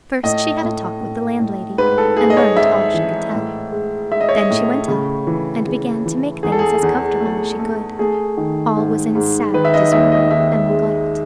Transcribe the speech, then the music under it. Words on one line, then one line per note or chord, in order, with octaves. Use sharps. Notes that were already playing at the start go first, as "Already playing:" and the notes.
First she had a talk with the landlady, and learned all she could tell. Then she went up, and began to make things as comfortable as she could: all was in sad disorder and neglect.
A2 D#5
A2
A2
A2
G#2 B4
A4
G#2 G#4
D#5
C#5
G#2 E5
E3
A2
G#3
G#3 E5
D#5
C#5
D#5
A2
C#3
E3
C#3
E3
E2 G#4
A4
G#4
E2
A3
A3
A3 G#4
D#3
G#2
G#2
D#3 B4
E5
D#5
D#2 E5
D#5
D#2 E5
G#3